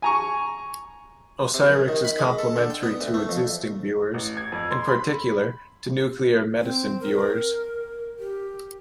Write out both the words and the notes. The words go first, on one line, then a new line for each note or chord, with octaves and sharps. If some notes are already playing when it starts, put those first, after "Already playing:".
Osirix is complementary to existing viewers, in particular to nuclear medicine viewers.
G#5 A#5 C#6
C3
F#2
D#3
B5
G#3
A4
D3
G5
B3
D2
A3
F2
A1
G#6
F2
C6
B5
C4
A#4
G4